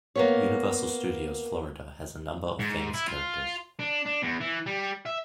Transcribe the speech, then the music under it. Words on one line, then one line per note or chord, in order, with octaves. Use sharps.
Universal Studios Florida has a number of famous characters.
A#3 B3 C#5
G#2
E4
F4
D4
D4
E2
E3
G3
E5